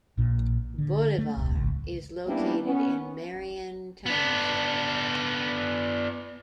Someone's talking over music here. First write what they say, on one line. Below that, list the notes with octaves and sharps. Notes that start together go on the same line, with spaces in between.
Bolivar is located in Marion Township.
A#1 A#2
D3
A3
D#1 C2
G#1 C#2
G3 A#3 B3 C#4 D4 E4
B3 C#4
B3 D4